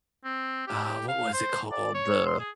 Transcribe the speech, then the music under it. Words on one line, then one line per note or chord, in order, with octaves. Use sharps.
Uh, what was it called? The
C4
G4
G4
F5
C5
D5
C#5
C6
G#4